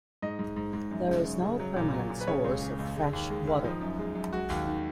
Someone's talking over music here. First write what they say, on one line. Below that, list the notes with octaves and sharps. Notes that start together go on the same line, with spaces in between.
There is no permanent source of freshwater.
G#2 D#5
G#2
G#2
G#2
F#2
C#3
F#2
C#3
F#3
A#2
F#3
A#2
B4
C#3 C#5
C#2
C#3
C#2
G#3
D#2
G#3
D#2
F3 D#4
F#2
G#3
F#2
G#3 F#4
D#2
D#3